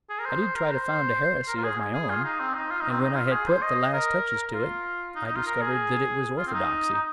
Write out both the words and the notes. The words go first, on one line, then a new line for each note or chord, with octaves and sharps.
I did try to found a heresy of my own; and when I had put the last touches to it, I discovered that it was orthodoxy.
G#4
A#4
C5
A#4
C5
A#4
F4
G#4
G#4
F4
D#4
C4
D#4
F4
D#4
C4
D#4
F4
G#4
C5
D#5
A#4
F4
D#4
D#4
F4
A#4
G#4
F4
C4
D#4
D#4